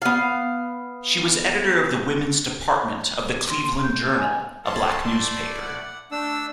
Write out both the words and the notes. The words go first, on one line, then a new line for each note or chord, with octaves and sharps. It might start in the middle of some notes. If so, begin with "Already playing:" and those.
She was editor of the women's department of the "Cleveland Journal", a black newspaper.
B3 F5
C6
C6
G6
G#5
C#4 F4 A4 A5 C6
A3 E4 D5
F#5
A3 D4 E6